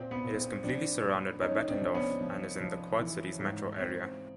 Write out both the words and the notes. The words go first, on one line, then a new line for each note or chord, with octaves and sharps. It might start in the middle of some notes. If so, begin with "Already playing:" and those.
It is completely surrounded by Bettendorf, and is in the Quad Cities metro area.
Already playing: A#2 C4
B3
A#2
C4
F3 C4 D4
A#2
F3 C#4 D#4
C4 D4
F3
B3 C#4
F3
F3
E3
G#2
G#2 C4